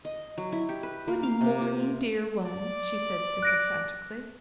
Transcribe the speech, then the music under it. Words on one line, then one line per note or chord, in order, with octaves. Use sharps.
"Good morning, dear one," she said sycophantically.
D#5
F#3
E4
G4
B4
A#3
F5
C3
F4
D5
F#6 A#6 D7